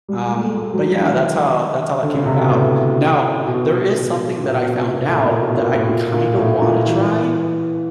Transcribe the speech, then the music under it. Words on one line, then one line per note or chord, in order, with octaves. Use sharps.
um but, yeah, that's how that's how that came about. Now there is something that I found out that I kinda wanna try,
G3
G#3
A3
G#3
F#3
E3
D#3
D3
C#3
C3
B2
A2
B2
A#2
B2
C3
A#2
A2
A#2
B2
A#2
A2
A#2
A#2
A2
A#2
E3